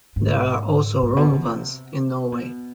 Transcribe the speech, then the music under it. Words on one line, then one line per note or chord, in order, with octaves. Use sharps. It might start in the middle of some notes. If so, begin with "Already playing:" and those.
There are also Romuvans in Norway.
G#2
G#2
B2
D3
C3
B2